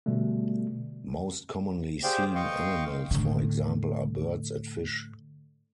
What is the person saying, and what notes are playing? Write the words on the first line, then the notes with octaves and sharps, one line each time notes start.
Most commonly seen animals for example are birds and fish.
B2 D3 G3 A3
G4 G#4 C5 D5 F5 G5
D#5 F5 G5 C6 C#6
A2 D3